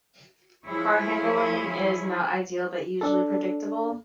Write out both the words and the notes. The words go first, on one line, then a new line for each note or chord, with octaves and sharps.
Car handling is not ideal, but usually predictable.
F3 E4 G#4 C#5
D4 A4